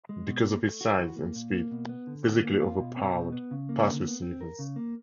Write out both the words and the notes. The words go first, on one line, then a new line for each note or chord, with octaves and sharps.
Because of his size and speed, he physically overpowered pass receivers.
G#3
B2
A#3
A3
F#4
E3
A#3
A#2
A#3
B2
B3
D3
B3
A#3
F4
B2
C4
B2
B3
C#3
A#3
D3
B3
C4
A#4
C#3
A#3